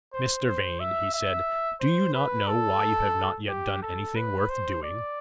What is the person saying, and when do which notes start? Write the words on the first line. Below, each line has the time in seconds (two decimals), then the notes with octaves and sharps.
"Mr. Vane," he said, "do you not know why you have not yet done anything worth doing?"
0.13 C5
0.46 C5
0.80 E5
1.14 E5
1.80 C5
2.14 B4
2.48 A4
3.49 G4
3.82 A4
4.16 B4
4.49 C5
4.83 D5